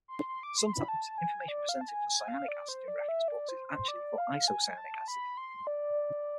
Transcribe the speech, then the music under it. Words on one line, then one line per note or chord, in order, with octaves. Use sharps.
Sometimes information presented for cyanic acid in reference books is actually for isocyanic acid.
C6
C6
D6
C6
B5
A5
G#5
D5
F5
A5
G#5
G#5
F5
D5
C5
D5
E5
D5
C5
C5
D5
F5
G#5
A5
B5
C6
D5